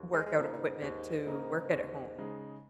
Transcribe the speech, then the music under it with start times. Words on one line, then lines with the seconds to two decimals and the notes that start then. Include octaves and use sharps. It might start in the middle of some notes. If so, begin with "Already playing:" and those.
workout equipment to work at home
Already playing: D#2
0.13 G#3
0.26 G#3
0.36 C#3 F3 A#3 D#4
0.53 A#2
0.58 G#2
0.82 D#2
1.27 C#3 A#3 D#4
1.72 D#2
2.18 C#3 G#3 D#4